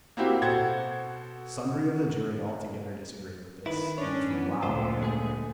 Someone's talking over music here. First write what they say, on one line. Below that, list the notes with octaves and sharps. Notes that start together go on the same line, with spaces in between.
Sundry of the jury altogether disagreed with this, and became loud in their anger.
A#3 C4 E4 F#4 G4
B2 A4 C5 F#5 G#6
D#3 E4 B4
C#4 D4 C#5
E3 B3
D2 A#2 F4 C5
G#3 A3 G#4